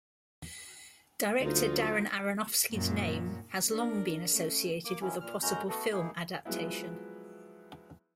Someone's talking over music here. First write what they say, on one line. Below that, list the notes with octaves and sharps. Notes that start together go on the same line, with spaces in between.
Director Darren Aronofsky's name has long been associated with a possible film adaptation.
D2 F#3 D#4 F4
F#2 A#2
D4 A#4
A3 C#4
A#3 D6
D#3 F3 F#3 C#4 E4
A#2 F6
F#2 G#3 C#4 F#4 A#5 G6
A3 B3 F#4 A4
A#3 D#4 E4 G#4
F3 F#3 G#3 B3 E4